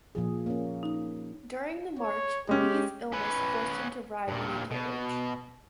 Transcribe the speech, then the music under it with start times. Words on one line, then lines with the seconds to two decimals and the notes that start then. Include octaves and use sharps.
During the march, Lee's illness forced him to ride in a carriage.
0.15 A#2 F3 G#4
0.46 A#3 C#4
0.83 D#4
1.99 C#5
2.49 G#3 C#4 G4
3.12 C#4 B4
4.28 G2 A#2
4.71 B2